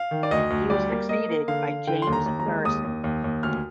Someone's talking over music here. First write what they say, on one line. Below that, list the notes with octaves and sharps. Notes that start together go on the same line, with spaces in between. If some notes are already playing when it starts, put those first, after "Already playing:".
He was succeeded by James Murison.
Already playing: F5
D#3
D5
D2 D#5
D2
G3 D5
A#3
A#3 D#5
A#3
D3 F5
D3
D3 G5
D#2 C6
A#5
D#2
A#5
G#3
D#2 D#6
D#2
D#2
D#2
D2 F6